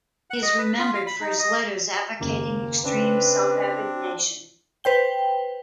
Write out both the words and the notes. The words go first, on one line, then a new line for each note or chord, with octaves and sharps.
He is remembered for his letters advocating extreme self-abnegation.
F#5
D#5
B4
F4
F5
B5
D#4
D#5
F#1 D#2 A#3
C#3 C4 D4 B4
B4 C5 G5 G7